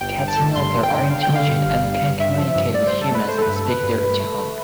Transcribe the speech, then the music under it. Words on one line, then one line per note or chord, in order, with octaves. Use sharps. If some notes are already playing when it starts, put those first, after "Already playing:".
Cats in Ulthar are intelligent and can communicate with humans that speak their tongue.
G1 G5
G1
A5
A3
G2 C6
G1
G5
D3
D3 F5
G5
D3
F5
G2
G1
G2
G2
G2 E5
F3
G2
G2 D5
C5
G2
A4
A3 B4
A3 C5
A4
B4
G2
A4
A3 B4
G2
G2
A3
A3